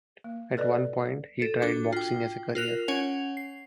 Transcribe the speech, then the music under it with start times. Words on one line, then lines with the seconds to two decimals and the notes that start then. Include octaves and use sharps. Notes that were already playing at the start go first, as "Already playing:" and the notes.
At one point he tried boxing as a career.
0.24 A#3
0.57 A4 B4 D5 D#5
1.42 A4
1.62 D4 F#4 D6
1.93 F4 G5
2.55 F4 A#4 F#6 F7
2.88 C#4 C#5 F#5 G#5 F7
3.37 C7